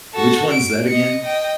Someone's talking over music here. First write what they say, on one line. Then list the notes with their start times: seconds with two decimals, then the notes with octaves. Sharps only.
Which one's that again?
0.14 F#4 A4
0.51 D7
0.86 D#5 C#7
1.23 D#5 G5